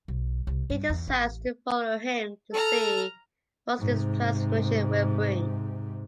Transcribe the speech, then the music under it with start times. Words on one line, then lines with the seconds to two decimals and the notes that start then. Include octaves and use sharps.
He decides to follow him to see what this transformation will bring.
0.08 B1
0.47 C2
0.70 G2
0.89 E2
1.08 A1
2.53 A4 A#5 F6
3.79 G#2 C3